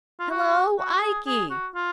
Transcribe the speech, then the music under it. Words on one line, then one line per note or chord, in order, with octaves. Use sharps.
"Hello, Ikey!"
F4
F#4
F#4
G#4
G#4
F#4
F4